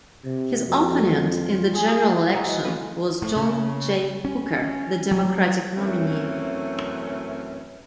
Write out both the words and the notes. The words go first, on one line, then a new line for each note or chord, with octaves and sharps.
His opponent in the general election was John Jay Hooker, the Democratic nominee.
C3
F2 F#4
F4
G#4
E3 G#4 C#5 F#5 A#5
F#4 C5 D#5
F3 C#4 A4 B4 F5 G#5
A2
C#3
C#4
C#4
F#3
F#2 E3 A3 C4 C#4